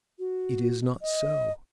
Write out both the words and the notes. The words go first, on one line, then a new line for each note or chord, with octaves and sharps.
It is not so.
F#4
D#5